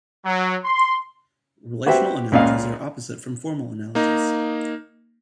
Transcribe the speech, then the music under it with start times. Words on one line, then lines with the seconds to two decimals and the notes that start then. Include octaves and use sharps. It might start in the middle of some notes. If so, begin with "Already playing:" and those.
Relational analogies are opposite from formal analogies.
0.25 F#3
0.64 C6
1.86 F#4 G4 B4 C5 E5 G5
2.32 C#2 A#2 D#5 F5
3.95 A#3 D#4